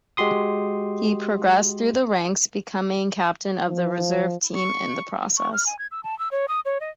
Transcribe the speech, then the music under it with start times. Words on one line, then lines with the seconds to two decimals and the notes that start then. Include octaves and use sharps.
He progressed through the ranks, becoming captain of the Reserve Team in the process.
0.17 G#3 F#4 G4 C6 D#6
3.68 F3
4.55 C#6
5.38 C#6
5.53 F6
5.66 G#5
5.79 G#6
5.91 E6
6.04 A5
6.19 E6
6.32 C#5
6.48 D#6
6.65 C#5
6.80 D#5